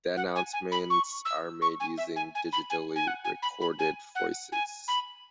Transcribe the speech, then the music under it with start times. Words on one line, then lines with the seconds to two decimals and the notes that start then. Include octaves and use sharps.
The announcements are made using digitally recorded voices.
0.17 F#5
0.35 G#5
0.53 G#5
0.71 B5
0.90 C#6
1.25 E6
1.61 C#6
1.80 G#5
1.97 E5
2.16 G#5
2.35 G#5
2.52 B5
2.70 G#5
2.95 G#5
3.07 F#5
3.24 G#5
3.42 B5
3.61 B5
3.79 G#5
4.15 F#5
4.52 G#5
4.88 B5